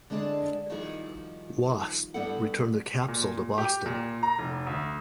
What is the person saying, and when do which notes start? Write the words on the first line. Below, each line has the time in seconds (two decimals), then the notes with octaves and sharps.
"Wasp" returned their capsule to Boston.
0.10 D3 G#3 D4 G#4 D5 A5
0.70 D#3 F3 G3 D#4 F#4 G#4
2.14 G2 G3 B3 A4 F#5
3.08 A#2
3.58 G4
3.86 A#2
4.23 A#5
4.39 F1
4.67 D2